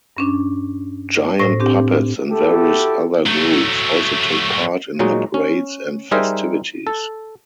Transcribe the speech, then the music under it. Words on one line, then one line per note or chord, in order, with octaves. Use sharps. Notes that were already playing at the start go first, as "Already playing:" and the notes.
Giant puppets and various other groups also take part in the parades and festivities.
G2 C#4 D4
A2 C5 A#6
C4 D4 G4
E4 F#4 G4 A4
F#3 A3
A#2 F#3 G#3 D#4 F#4
C#4
G3 D#4 G#4 A#4 C5 E5
A4